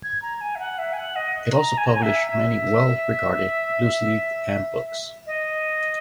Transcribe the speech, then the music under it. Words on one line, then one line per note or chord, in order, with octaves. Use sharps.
It also published many well-regarded looseleafs and books.
G#6
A#5
G#5
E5
F#5
E5
G#5
F#5
D#5
A#5
G#5
A#5
G#5
E5
E5
D#5